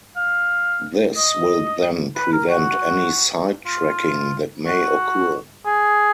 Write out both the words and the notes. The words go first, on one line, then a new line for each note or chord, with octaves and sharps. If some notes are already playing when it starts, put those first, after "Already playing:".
This will then prevent any sidetracking that may occur.
F5
D#5
B4
A#4
F#4
F4
F#4
G#4